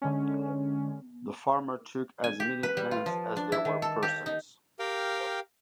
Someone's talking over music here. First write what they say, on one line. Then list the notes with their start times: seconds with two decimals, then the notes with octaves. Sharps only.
The farmer took as many plants as there were persons.
0.02 D3 G#3 C#4
2.24 G#5
2.40 G4
2.63 B4
2.77 G3
2.91 F4
3.06 F3
3.37 D4
3.52 E4
3.65 D#3
3.82 A4
4.03 G4
4.26 D#4
4.79 G4 A#4 F5 G5